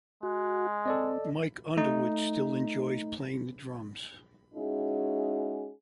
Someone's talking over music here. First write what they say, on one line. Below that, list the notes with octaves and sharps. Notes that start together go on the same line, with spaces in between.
Mike Underwood still enjoys playing the drums.
G#3 F#4
C4 A4 D5 D#5
A3 D#4
G#3 C#4 D#4 E4 F#4 G#4